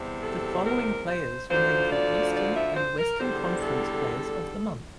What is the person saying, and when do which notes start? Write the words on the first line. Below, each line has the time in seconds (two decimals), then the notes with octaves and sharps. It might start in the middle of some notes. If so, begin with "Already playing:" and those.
The following players were named the Eastern and Western Conference Players of the Month.
Already playing: E2 C3 G3
0.23 A4
0.66 A#4
1.08 C5
1.50 D2 D3 F3 C5
1.93 D5
2.35 D5
2.57 E5
2.77 C5
2.98 A#4
3.19 E2 D3 G3 C5
3.62 A4